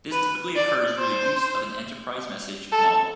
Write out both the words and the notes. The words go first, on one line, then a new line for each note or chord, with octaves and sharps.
This typically occurs through the use of an enterprise message model.
B4
D5
C5
A4